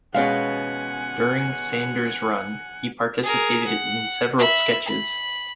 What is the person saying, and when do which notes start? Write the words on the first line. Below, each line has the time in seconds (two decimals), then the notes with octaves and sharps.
During Sanders' run, he participated in several sketches.
0.14 B2 G#3 B3 C#4 F5 F#5 G#5
3.23 G#4 A#4
3.66 F#5
4.39 E5 B5
4.85 B5